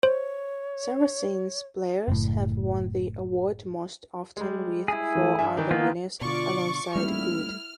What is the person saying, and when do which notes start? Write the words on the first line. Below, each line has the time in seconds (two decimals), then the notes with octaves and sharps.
Saracens players have won the award most often with four other winners alongside Goode.
0.03 C5 C#5
2.08 F#1 A2
4.37 G3 G#3
4.88 E4 G#4
5.15 E3 A3
5.39 G2 E5 G#5
5.57 D#3 E3 D#4
5.71 A#3 B3 F4
6.21 B2 D3 F4 D5 C#6 D6
6.95 D#1 G3 A3 E4 F6